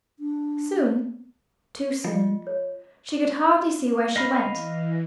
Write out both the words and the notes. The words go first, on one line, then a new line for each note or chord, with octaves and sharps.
Soon, too soon, she could hardly see where she went.
D4
F3 F4 D#5 G5
C#5
D#5 F5 B5
E3